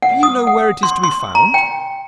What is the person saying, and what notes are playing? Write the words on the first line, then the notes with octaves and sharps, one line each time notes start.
'Do you know where it is to be found?'
F#5
D#6
F#5
C6
C6
A#5
G5